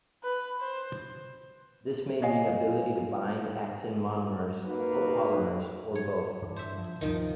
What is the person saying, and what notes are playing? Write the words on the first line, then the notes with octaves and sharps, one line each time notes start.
This may mean ability to bind actin monomers, or polymers, or both.
B4
C5
C#5 D#5 F5 G#5
A#3 D#4 F#4 B4
C#5
G2 E3 D4
C5 E5
F3
D2 G2 C3 D#3 F3